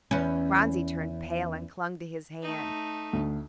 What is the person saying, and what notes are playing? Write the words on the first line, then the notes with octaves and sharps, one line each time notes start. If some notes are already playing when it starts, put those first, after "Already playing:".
Phronsie turned pale and clung to his hand.
E2 C#4
A3 D#4
D2